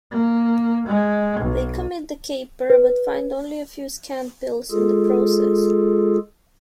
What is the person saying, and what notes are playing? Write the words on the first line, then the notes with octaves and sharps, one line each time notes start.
They commit the caper but find only a few scant bills in the process.
A#3
G#3
B1
B4
G#3 F4 G#4 A4